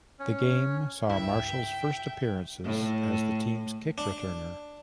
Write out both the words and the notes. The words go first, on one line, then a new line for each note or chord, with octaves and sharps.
The game saw Marshall's first appearances as the team's kick returner.
C#4
C#2 G2 E4 E5 G5
A2
D4